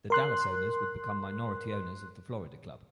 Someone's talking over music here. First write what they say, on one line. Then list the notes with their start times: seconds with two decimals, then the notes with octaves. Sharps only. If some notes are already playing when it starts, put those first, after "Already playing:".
The Dallas owners would become minority owners of the Florida club.
0.10 A#4 C6 F#6